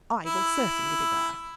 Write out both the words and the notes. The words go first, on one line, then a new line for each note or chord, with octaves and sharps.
I will certainly be there.
E4